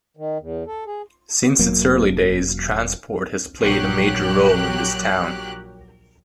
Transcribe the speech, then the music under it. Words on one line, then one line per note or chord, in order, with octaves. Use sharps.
Since its early days, transport has played a major role in this town.
D#3
E2
A4
G#4
E1 F#3 A#3
A#1 F#3 G4 F#6